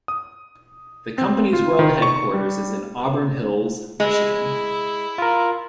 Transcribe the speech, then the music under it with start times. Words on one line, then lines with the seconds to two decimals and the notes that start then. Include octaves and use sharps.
The company's world headquarters is in Auburn Hills, Michigan.
0.08 D#6
1.18 C4
1.53 F4
1.79 D#3
2.02 C#6
2.34 G3
4.00 G#3 E4
5.18 F4 A#4